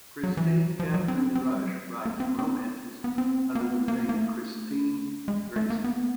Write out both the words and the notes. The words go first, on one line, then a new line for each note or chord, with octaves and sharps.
Kristine Kathryn Rusch writes romances, under the name "Kristine Grayson".
F#3
E3
F3
F#3
C4
C4
G3
F#3
A#3
C4
C4
B3
B3
C4
A#3
B3
A#3
A#3
A3
G#3
A3
A#3
B3